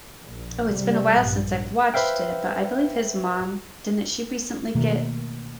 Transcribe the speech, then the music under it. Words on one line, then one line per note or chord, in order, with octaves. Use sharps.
oh, it's been a while since I've watched it, but I believe his mom didn't she recently get
A#1
C3 G3
A#1 G2
B4 C5 E5 F5 G5
B2 D#3 A3 A#3